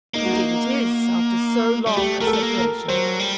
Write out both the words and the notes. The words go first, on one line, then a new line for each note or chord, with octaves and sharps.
"Indeed it is, after so long a separation."
A#3 D#4
F#4
D#4
G3
A3 G4
A3 A#4
A4
A3
A#3
A#4
F#3 C5
G3